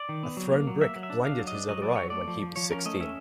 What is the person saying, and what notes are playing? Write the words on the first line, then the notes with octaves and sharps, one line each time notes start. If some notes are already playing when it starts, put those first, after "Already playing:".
A thrown brick blinded his other eye when he was sixteen.
Already playing: D5
D#3
B3
F#3
A#3
F#3
A#3 E5
F#3
E5
D4
D4 F5
F#3
D#5
D4
F#3 D#5
F#3 D5
F#3 C#5
A3 D5
F3
F3
F3 C#5
C#4 A#4
A3 D#5
C#4 E5